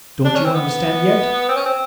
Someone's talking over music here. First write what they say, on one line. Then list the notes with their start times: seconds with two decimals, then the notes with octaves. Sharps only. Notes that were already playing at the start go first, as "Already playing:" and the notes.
"Don't you understand yet?"
0.25 D4
0.35 C#4
0.45 C4
0.55 B3
1.49 C4
1.56 C#4
1.66 C4